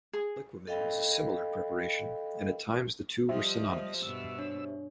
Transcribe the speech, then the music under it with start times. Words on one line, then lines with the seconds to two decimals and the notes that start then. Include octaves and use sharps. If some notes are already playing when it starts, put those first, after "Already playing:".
Liquamen was a similar preparation, and at times the two were synonymous.
0.13 G#4
0.67 A4 D#5 F5 G5 B5
3.29 F3 G3 G4 C5 D#5 E5
4.03 G2 B2 E6
4.39 D4 C#5